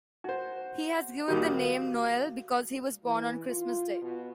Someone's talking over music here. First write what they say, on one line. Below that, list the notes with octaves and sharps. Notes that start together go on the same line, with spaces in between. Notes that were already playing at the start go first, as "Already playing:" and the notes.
He was given the nickname "Noel" because he was born on Christmas Day.
D#4 F#4 C5
A#1 D#3 G3 F#4
F5
E3
F4
B2